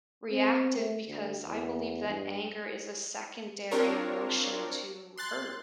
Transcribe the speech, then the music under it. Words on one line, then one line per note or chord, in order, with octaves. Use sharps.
reactive, because I believe that anger is a secondary emotion to hurt,
C4
A3
D2
E2
G2
C4 D4 F4 A#4 C#5
C6 F#6 A6